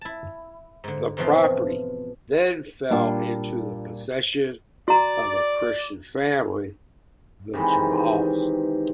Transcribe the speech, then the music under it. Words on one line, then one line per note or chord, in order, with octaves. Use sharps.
The property then fell into the possession of a Christian family, the Jamals.
E4 A5
G#2 D3
G#2 B2 E3 F3 C4 F4
A#2 G3 D4 F4
F#4 D5 A#5
C3 D#3 E3 G#3